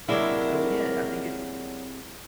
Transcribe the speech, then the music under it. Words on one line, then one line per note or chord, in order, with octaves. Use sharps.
So, yeah, I think it's
C3 F#3 G#3 A#3 D4 E4 A#4